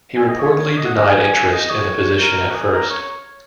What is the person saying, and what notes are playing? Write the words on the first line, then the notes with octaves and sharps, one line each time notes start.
He reportedly denied interest in the position at first.
G#5
D#5
C#5
C#5
D#5
F#5
D#5
G#5
D#5
C#5
A#4
F#4
G#4
A#4
C#5